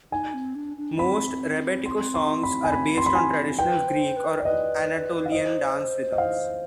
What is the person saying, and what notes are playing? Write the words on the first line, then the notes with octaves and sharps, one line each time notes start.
Most rebetiko songs are based on traditional Greek or Anatolian dance rhythms.
D#4 G#5
C4
D4
D4
C4 B5
C6
C6
B5
G#5
B5
C6
B5
G#5
B4 G5
C5
B4
D5
B4 D#5
F5
C5 D#5
D#5
F5